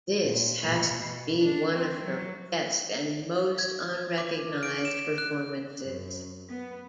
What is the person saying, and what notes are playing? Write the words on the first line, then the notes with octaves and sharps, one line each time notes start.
This has to be one of her best and most unrecognised performances.
A#2
B2
B2
D4
C4
F#3
G#6
D6
D7
E7
F#6
F#2
B3